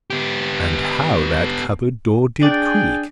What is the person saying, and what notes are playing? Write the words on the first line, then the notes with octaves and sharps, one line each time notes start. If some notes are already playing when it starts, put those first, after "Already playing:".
And how that cupboard-door did creak!
B3 G4
D4 G#4 D5 G5